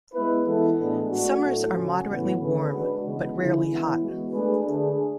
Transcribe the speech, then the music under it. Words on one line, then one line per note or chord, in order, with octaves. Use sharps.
Summers are moderately warm but rarely hot.
G#3 B3 E4 B4
E3 B3 E4 A4
A2 G#3 B3 D4 A4
A3 D4 F#4
A2 F#3 A3
C#3 F#3 C#4 F#4
A2 E3 B3 F#4 B4
D3 A3 C#4 G#4 B4
G#3 D4 F#4 B4
C#3 E3 G#3 B3
D3 G#3 C#4 E4
E3 B3 E4
G#3 B3 F#4
A3 D4 G#4 B4
D3 A3 D4 G#4